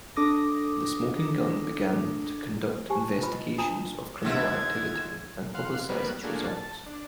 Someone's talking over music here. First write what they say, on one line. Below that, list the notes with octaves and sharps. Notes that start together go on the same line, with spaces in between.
The Smoking Gun began to conduct investigations of criminal activity and publicize its results.
D4 A4 D6 D#6 A#6
G4 C5 G#5 A5
F4 B4 C5 B5
D#5
D4 F4 A5 A#5 D#6
D#2 D3 E5 G#6
F5 F#5 C6
G3 A#3 B3 F#4 B4
A3 A#3 D4 F4 F#4 G#4
A5
D4